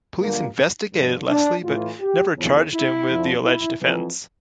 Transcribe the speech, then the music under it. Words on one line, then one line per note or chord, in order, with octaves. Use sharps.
Police investigated Leslie but never charged him with the alleged offence.
G2 D3 F3 A#3
G2 F3
D4
A2 E3 F4
G4
E2 C#3 F3
E4
F2 D3 F3
E4
F2 E3